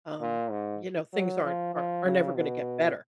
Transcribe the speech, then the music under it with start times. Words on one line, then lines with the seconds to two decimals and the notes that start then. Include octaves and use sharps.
um, you know, things aren't are are never gonna get better.
0.21 A#2
0.51 G#2
1.13 F#3
1.44 F3
1.74 F3
2.05 C#3
2.36 B2